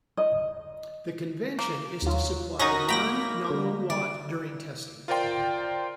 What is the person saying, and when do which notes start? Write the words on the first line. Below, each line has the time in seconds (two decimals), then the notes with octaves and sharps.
The convention is to supply one nominal watt during testing.
0.17 D#5
1.59 A#3
2.02 D#2 F#3 F4
2.59 C#4 D#4 F#4 A#4 D#5 D#6 A#6
2.88 A#3 G5 A#5 B5 A#6
3.50 D3
3.90 G3 D5
5.08 F4 A#4 C5 D5 G5 C6